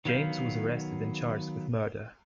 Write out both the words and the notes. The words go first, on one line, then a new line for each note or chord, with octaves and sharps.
James was arrested and charged with murder.
D#3 F#3 B3 F5 G6